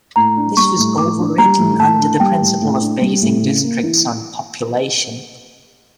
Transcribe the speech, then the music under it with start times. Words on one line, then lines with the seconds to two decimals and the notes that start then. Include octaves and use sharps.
This was overridden under the principle of basing districts on population.
0.16 A2 A#5
0.36 D4
0.57 G3 C#6
0.78 A2
0.98 A2 D6
1.18 D4
1.38 G3 A#5
1.59 A2
1.79 A2 A5
1.99 D4
2.20 G3 G5
2.40 A2
2.61 A2
2.81 D4
3.02 G3
3.22 A2
3.42 C#3
3.63 A#3
3.83 E3